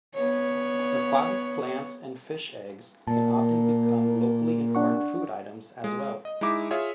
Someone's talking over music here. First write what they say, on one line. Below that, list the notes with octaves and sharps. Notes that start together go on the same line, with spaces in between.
Aquatic plants and fish eggs can often become locally important food items, as well.
B3 C#5
A#2 A#3 A5
D4 F#5 C#6
G#3
D#5
G#3 D#4 E4 D6
F4 G#4 C#5 E5 F5